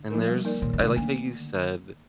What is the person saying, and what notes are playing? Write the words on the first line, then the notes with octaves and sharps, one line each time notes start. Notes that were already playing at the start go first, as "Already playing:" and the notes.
And there's I like how you said,
Already playing: D3
F3 A#3 D#4 A#4
G3
A#3 D#4 A#4 D5
A#2 D#3
D3
C3 A3 D#4
D3 A#3